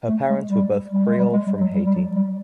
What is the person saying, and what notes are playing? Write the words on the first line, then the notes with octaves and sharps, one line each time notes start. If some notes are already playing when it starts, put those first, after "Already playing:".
Her parents were both Creole from Haiti.
A3
G#3
G3
G3
G#3
G3
G#3
G3
F#3
G3
G3
F#3
G3